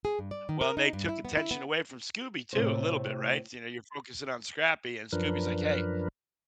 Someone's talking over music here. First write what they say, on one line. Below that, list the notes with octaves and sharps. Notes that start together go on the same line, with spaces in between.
Well, and they took attention away from Scooby too a little bit, right, so you know, you're focusing on Scrappy, and Scooby's like, "Hey,
G#4
G2
D5
D#3
A#4
D#4
G2
E4
B3
E4
B3
A2 C3 C5
F#2 F3 D4 A#4 B4